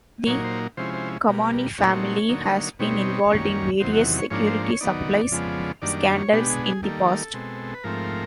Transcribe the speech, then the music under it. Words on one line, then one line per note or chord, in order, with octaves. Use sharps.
The Kamani family has been involved in various security supplies scandals in the past.
A#2 F#3 A#3 D#4 C#5
C5
C3 F3 G#3 C#4 E4 C5
C5
B2 G3 A#3
A#2 F#3 A3 C4 D#4 C#5
D3 F#3 A#3 D#4
B2 G3 C4 D#4 C#5
F#2 D#3 G3 A#3 C#4
E2 C3 D#3 F#3 C5
F#5
C#5
G#2 F3 A#3 D4 C#5
C5
C#5
D#3 F#3 B3 D#4 D5
F2 C#3 F3 G#3 B3
F#2 D#3 G3 A#3 D4 D5
D5
C#5
B2 G#3 B3 D4 G4
G#4
G#4
D#3 G3 A#3 A4
B2 G#3 C4
B4
G#2 F3 A3 C4 A#4